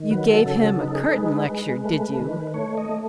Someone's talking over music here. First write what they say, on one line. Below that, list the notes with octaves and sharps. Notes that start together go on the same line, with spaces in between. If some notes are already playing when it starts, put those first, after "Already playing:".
'You gave him a curtain lecture, did you?'
Already playing: D#3
F#3 B4
A4
C#3 A4
D#4 B4
A4
G#4
A4
G#3 B4
G#3
A3 B4
D#3
A3 C#5
D#5
A3